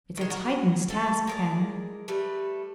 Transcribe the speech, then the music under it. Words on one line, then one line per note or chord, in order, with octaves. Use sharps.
"It's a Titan's task, Ken."
D#3 G#3
F#4 A#4
A4
G#3 A#4 D5
G3 A3 B4